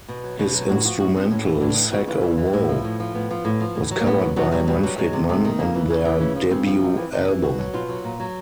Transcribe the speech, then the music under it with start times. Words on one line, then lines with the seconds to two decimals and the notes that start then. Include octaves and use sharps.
His instrumental "Sack o' Woe" was covered by Manfred Mann on their debut album.
0.08 B2
0.24 F#3
0.39 B2
0.54 F#3
0.69 A2 F#4
0.85 F3 F#4
1.00 A2 F#4
1.15 F3 C4
1.30 A2 C#4
1.46 E3
1.61 A2 D4
1.77 E3
1.92 C#3 F#4
2.08 E3 F4
2.23 C#3
2.37 E3
2.53 A2 E4
2.69 F3
2.84 A2
3.00 F3
3.14 A2 B3
3.30 F3
3.45 A2
3.60 F3
3.75 A2
3.91 F#3
4.00 A#3
4.06 A2 B3
4.21 F#3
4.36 B2 F#3
4.52 F#3 G3
4.67 B2 G3
4.83 F#3 G3
4.98 F#3 G#3
5.13 C3
5.29 C3 A3
5.45 D#3
5.59 C#3 A#3
5.75 E3
5.90 C#3
6.05 E3
6.20 C#3 C#4
6.36 F3
6.50 C#3 C4
6.67 F3
6.82 C3
6.97 E3
7.12 C3
7.28 E3
7.43 B2 F#4
7.59 F#3
7.74 B2 F4
7.89 F#3
8.04 A#2
8.20 F#3